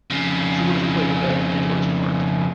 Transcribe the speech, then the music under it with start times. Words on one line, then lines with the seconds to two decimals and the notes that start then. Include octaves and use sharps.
She would have played Bette Midler's part.
0.10 F2 C#3